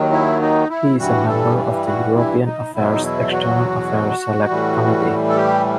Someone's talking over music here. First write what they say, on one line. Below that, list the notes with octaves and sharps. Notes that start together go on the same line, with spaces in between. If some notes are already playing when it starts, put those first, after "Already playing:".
He is a member of the European Affairs External Affairs Select Committee.
Already playing: D#2 D#3 F#3
E4
D#4
E4
G2 E3 G3 F#4
A4
F#4
E4
D#4
E2 B2 F#3 E4
D#4
E4
F#4
A2 E3 G3
A4
G4